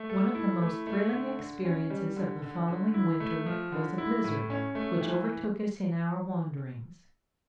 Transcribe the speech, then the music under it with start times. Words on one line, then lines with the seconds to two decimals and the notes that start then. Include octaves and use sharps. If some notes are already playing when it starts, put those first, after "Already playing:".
One of the most thrilling experiences of the following winter was a blizzard, which overtook us in our wanderings.
Already playing: A3
0.10 A4
0.35 E4
0.61 A3
0.87 A3
1.13 D3
1.39 D3
1.65 C#4
1.90 G3
2.16 D3
2.42 D3
2.68 D3
2.94 E4
3.20 A3
3.46 F3
3.72 D3
3.98 E4
4.24 A2
4.50 C#4
4.75 A3
5.01 E3